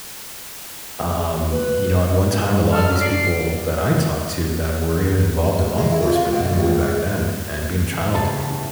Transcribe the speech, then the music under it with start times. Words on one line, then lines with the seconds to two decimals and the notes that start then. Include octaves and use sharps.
Um, you know, at one time, a lot of these people that I talked to that were even involved in law enforcement, even way back then, and being a child,
1.51 B4
2.51 D#3
2.72 A4 F6
2.87 F#3
3.01 D5 C7
5.78 G#3
5.91 E4
6.03 F2
6.15 F4
6.33 B2
6.46 D2
6.60 C#2
6.81 G#2
8.15 E2 A2 C#3 G3 A5